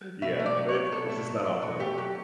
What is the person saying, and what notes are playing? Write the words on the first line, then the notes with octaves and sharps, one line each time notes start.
Yeah. But it's it's just not optimal.
B2 E5
A3
D5
F#3
C#5
D4
B2 A4
A3
F#3
D4
B2 F#4
A3 G4
F#3 G4